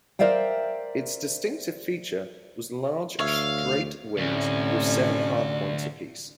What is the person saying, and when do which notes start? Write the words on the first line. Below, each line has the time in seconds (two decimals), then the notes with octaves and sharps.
Its distinctive feature was large straight wings with seven hard points apiece.
0.19 A#4 C5 D5 E5 F5 G5
3.19 D2 C#5 E5 F5
4.17 D2 A2 C3 C#4 D5